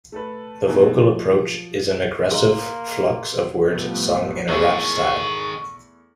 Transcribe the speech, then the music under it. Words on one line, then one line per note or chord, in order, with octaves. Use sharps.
The vocal approach is an aggressive flux of words sung in a rap style.
A3 A4 B4
F#2 B2 E3 A#3 D#4
F3 F#3
C#3 A#3 D#4 C6
A2 C3 F3 G3 A3 B3
E2 D#3 A3 G#4 C#6